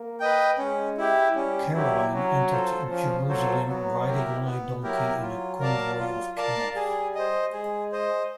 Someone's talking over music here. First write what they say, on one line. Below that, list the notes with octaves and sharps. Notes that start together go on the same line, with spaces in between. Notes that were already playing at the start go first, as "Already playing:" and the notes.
Caroline entered Jerusalem riding on a donkey in a convoy of camels.
Already playing: A#3
B4 D#5 G5
G#3 C#4
E4 G4
G3 C#4
F#3 E4 G4
F#3 C#4
F4 A4 C5
F3 C#4
F#3 F4 A4 C5
F#3 B3
E4 G4 A#4
B3
F#3 E4 G4 A#4
F#3 F4
A#4 D5 F5 A5
F4
A#4 D5 F5 A5
G3 G#4
C5 D#5
G#3 G#4
C5 D#5